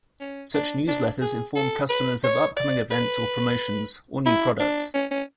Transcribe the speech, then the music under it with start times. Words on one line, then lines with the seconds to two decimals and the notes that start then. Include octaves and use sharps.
Such newsletters inform customers of upcoming events or promotions, or new products.
0.20 C#4
0.54 D4
0.88 D4
1.22 G#4
1.56 A4
1.90 B4
2.24 C#5
2.57 D5
2.91 B4
4.26 E4
4.60 D4
4.94 C#4
5.11 C#4